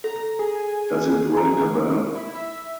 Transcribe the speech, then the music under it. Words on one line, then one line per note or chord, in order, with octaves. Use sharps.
Does it ring a bell?
A4 A#5
G#4
A#5
E4
E5